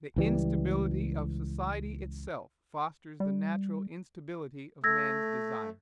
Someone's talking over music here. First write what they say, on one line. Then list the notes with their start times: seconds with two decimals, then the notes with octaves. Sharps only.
The instability of society itself fosters the natural instability of man's desires.
0.16 C#2 E3 G3
3.20 G3
4.84 A3 E6 G#6 A#6